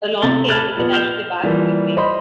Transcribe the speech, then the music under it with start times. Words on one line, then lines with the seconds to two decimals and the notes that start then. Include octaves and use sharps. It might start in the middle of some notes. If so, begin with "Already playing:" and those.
A long tail is attached to the back of the frame.
0.22 C3 A3 A6 G7
0.49 A5 B5 F6 F#6 G#6 A6
0.75 A#2 F3 B3
0.92 F6 G6 E7 F7 G7
1.43 E3 F3 G3 A#3
1.97 C5 D#5 B5 C6